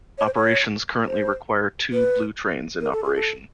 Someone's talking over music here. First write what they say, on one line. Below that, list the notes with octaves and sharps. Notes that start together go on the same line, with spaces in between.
Operations currently require two Blue Trains in operation.
C#5
C5
C#5
C5
B4
A#4
A4
G#4
A4